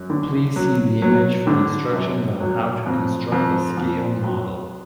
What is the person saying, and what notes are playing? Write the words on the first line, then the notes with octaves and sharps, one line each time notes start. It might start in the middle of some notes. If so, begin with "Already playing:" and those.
Please see the image for instructions on how to construct a scale model.
Already playing: F#2
D3
F#3
F#3
D3
F#2
F#3
F2
F2
F2
F#3